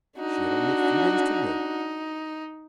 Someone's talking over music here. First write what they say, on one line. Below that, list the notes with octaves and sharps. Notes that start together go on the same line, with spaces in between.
She had only a few days to live.
D4 D#4 F#4